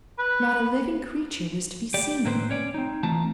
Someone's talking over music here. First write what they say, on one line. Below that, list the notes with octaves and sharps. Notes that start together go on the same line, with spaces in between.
Not a living creature was to be seen.
B4
G4 D5
A2 A#3 C4 B4 C5
C#4 C#5 D5
C4 D#4
E3 A3 C4 F4 A5 A#5